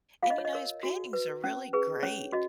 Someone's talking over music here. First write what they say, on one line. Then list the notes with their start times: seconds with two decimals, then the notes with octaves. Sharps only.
And, you know, his paintings are really great.
0.23 F4 F5
0.30 D#5
0.38 C#5
0.45 D#5
0.53 A#4 C#5
0.83 F#4
1.13 B4
1.44 C#4
1.73 G#4 B4
2.03 C#4 C#5
2.32 F#4 D#5